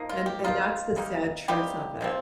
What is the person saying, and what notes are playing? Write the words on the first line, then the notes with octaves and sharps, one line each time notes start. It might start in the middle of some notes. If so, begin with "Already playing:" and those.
and and that's the sad truth of it.
Already playing: F3 A#3 D#4
F4
G4
F3 A#3 D#4 F4
C3 G3 A#3 D#4
C3 G3 A#3 D#4 G4
C3 F3 C4